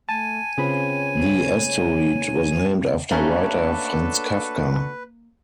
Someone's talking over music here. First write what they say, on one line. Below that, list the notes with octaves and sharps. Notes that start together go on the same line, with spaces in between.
The asteroid was named after writer Franz Kafka.
A3 G#5 A5
C#3 C4 F4 G#4 B4 C#5 B5
A3 A#3 C#4 D4 F#4 A4 B4